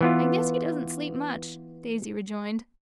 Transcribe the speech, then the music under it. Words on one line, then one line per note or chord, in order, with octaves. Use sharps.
"I guess he doesn't sleep much," Daisy rejoined.
E3 B3 F4